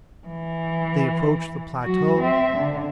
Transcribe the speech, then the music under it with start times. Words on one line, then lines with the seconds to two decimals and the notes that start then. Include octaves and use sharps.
They approached the plateau.
0.28 E3
1.82 F#3 F#4
2.19 C4 E5
2.57 D3